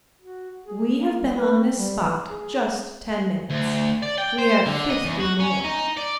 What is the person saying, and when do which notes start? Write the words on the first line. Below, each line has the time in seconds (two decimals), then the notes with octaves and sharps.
We have been on this spot just ten minutes; we have fifty more.
0.21 F#4
0.66 G#4
0.96 A#3
1.20 G3
1.36 B4
1.57 C4
1.77 G3
2.00 E3
2.27 G#4
3.50 D2
4.03 D5
4.18 G5
4.38 C5
4.66 D3
4.90 D#5
5.05 E2
5.20 F#4
5.40 C#4
5.65 D#4
5.97 D5